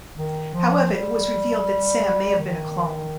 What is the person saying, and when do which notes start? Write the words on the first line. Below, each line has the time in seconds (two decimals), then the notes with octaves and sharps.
However, it was revealed that Sam may have been a clone.
0.18 D#3
0.54 F3
0.91 G3
2.38 D#3